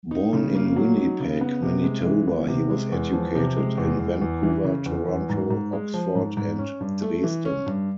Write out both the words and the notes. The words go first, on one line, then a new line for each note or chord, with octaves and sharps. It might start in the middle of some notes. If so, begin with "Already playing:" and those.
Born in Winnipeg, Manitoba, he was educated in Vancouver, Toronto, Oxford and Dresden.
D#4
C#3
A#3
F#3
D#4
C#3
B3
C3
G#3
E3
B3
C3
G#3
E2
F3
C3
G#3
E2
E2
E2
E3
C#3
E2
E2
G#2
G#2
G#3
F3
G#2
G#2
C#4
G2
A3
E3
C#4
G2